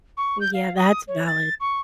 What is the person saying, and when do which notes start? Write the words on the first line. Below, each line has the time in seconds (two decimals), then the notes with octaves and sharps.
yeah, that's valid,
0.17 C#6
0.40 G6
0.54 F5
0.77 D#6
1.08 C#5
1.26 A6
1.60 C#6